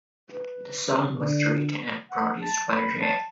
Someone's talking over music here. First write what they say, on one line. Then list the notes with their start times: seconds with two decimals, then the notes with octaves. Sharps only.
The song was written and produced by Rea.
0.30 B4
1.20 D3 D5
2.11 F#5
2.42 A5
2.71 B5
3.01 A5